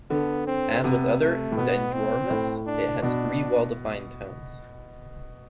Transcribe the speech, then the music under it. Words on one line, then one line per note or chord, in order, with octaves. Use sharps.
As with other "Dendromus", it has three well defined toes.
D3 B3
C4
C3 B3
A3
A2
B2 B3
C4
A2
D4
B2 D4